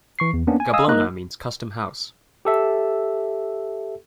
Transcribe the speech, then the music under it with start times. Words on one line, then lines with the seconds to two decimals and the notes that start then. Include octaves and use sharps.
Gablona means custom-house.
0.19 E3 C#6 C7
0.34 E2
0.47 A#3 B3 C#4 D4
0.60 G#5
0.73 D#5 F5 G#5 D#6 E6
0.88 A#3 D#4 A#4 D#5 F#6
2.45 G4 A4 E5